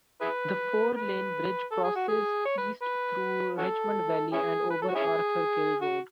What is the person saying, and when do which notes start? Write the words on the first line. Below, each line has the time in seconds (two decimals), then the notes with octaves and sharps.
The four-lane bridge crosses east through Richmond Valley and over Arthur Kill Road.
0.21 E4 G#4 B4
0.96 B4
1.71 A4
1.84 G#4
1.96 F#4
2.08 G#4
2.45 C#5
2.58 B4
2.82 B4
3.58 C#4 F#4 A4
4.33 C#4 E4 G#4
4.70 B4
4.82 A4
4.89 F#4
4.95 C#4 E4 G#4
5.82 F#4